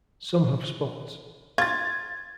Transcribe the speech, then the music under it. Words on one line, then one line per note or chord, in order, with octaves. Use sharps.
Some have spots.
F4 G#6 A6